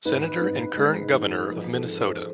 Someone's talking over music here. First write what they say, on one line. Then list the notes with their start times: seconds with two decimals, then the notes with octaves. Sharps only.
Senator and current Governor of Minnesota.
0.05 G#2 B4
0.42 G#2
0.77 G#3
1.13 E3
1.49 F3 A#4
1.73 A4
1.85 G#2
1.98 C5